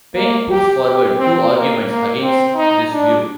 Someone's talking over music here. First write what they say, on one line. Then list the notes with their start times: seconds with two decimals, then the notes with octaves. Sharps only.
Paine puts forward two arguments against this view.
0.16 A#3
0.51 G4
0.84 G4
1.19 C4
1.53 A#3
1.88 A#3
2.22 C4
2.56 D#4
2.92 D4